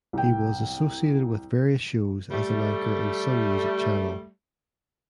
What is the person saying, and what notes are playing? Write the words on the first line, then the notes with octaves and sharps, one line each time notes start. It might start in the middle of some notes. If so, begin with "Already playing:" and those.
He was associated with various shows as an anchor in "Sun Music" channel.
C2 G5
G3 A3